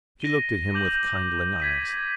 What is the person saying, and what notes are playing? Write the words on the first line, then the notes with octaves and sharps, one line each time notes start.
She looked at him with kindling eyes.
A#6 D#7 G7
D6 G6 F#7
G#6 B6 D#7